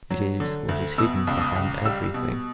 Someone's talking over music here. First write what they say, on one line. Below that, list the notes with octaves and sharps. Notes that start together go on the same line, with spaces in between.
It is what is hidden behind everything.
F#3
D3
D2
B2 E6
C#2
D#6
C#2
G3 E6
B2